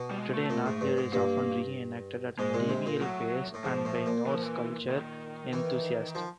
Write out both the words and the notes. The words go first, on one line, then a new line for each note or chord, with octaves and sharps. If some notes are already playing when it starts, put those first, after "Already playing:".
Today, knattleikr is often re-enacted at medieval fairs and by Norse culture enthusiasts.
Already playing: B2
G3
G#3
A3
A#2
G#2
G2
G#2
G2 A#3
G#2 G#3
A#2
C3
A#2
A2 F#3
A2
G#2 F3
A2
A#2
E3
F3
E3
D#3
E3
F3